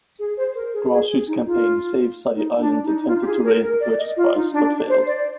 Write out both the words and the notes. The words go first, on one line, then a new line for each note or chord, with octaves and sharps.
Grassroots campaign "Save Sully Island" attempted to raise the purchase price, but failed.
G#4
C5
A#4
G#4
G#4
G#4
D#4
F4
D#4
D4
D#4
D#4
F4
G4
G#4
A#4
A#4
D5
D#5
F4
D#4
D4
C5
D5